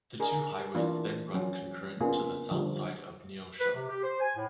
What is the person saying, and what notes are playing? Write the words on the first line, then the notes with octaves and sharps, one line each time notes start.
The two highways then run concurrent to the south side of Neosho.
D4 G#4 A#4
E3 A#3 D4 F4
F3 F#3 C#4
C#3 A#3 B3 D4 F4 G#4
D3 F3 G3
B4
C3
G4
C5
G#5
A2